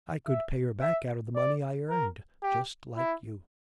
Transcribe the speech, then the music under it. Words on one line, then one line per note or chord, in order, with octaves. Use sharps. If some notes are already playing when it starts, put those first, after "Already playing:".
I could pay her back out of the money I earned, just like you.'
E5
E5
D5
A#4
G4
E4